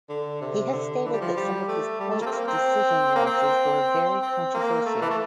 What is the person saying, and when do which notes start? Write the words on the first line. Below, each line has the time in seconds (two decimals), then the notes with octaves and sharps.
He has stated that some of his points decision losses were "very controversial".
0.09 D3
0.41 C3
0.73 D3
1.05 E3
1.13 G3
1.21 F3
1.36 G3
1.68 A3
2.00 G3
2.10 A3
2.21 A#3
2.26 C4
2.32 A#3
2.48 C4
3.16 A#3
3.27 C4
4.22 C4
4.54 A#3
4.86 A3
5.01 E3
5.11 A3